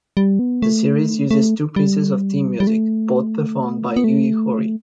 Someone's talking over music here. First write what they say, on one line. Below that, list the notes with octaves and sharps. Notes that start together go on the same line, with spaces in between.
The series uses two pieces of theme music, both performed by Yui Horie.
G3
B3
A3
A3
G3
G3
A3
B3
A3